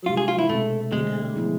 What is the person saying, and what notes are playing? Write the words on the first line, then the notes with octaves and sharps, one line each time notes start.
Ooh, you know,
C3 G#3 D4 F4
G#4
F4
E4
B2 G#3 A3 C4
D3 G#3 A3 C4 G#4
F3 B3 E4 G#4